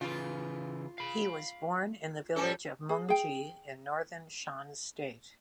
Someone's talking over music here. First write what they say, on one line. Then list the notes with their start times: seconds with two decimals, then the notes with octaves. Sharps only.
He was born in the village of Mung Ji in northern Shan State.
0.01 C#3 E3 F4
0.98 F5 B5
2.36 G3 C#4 A4 A#4 A5
2.89 G#4
3.08 G#4 G5